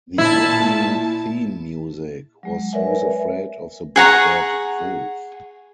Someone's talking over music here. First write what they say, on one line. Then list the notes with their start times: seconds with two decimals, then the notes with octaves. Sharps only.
The opening theme music was Who's Afraid of the Big Bad Wolf?
0.18 A#2 E4 A5
2.43 F#3 G#3
2.73 A#4 B4 C#5 D5 E5 G#5
3.96 G#4 F#5 A#5 C#6